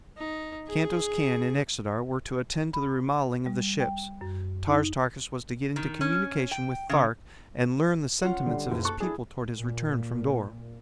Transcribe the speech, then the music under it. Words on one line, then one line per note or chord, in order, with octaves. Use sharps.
Kantos Kan and Xodar were to attend to the remodelling of the ships. Tars Tarkas was to get into communication with Thark and learn the sentiments of his people toward his return from Dor.
D#4
G#4
B5
G3
G5
F#2
D#4
D#3
C#4
G5
C#3
C#4 F4 F#5
D3 G3
F#1 B1
A4 C#6 F#6
D4 E4 G#4
A#2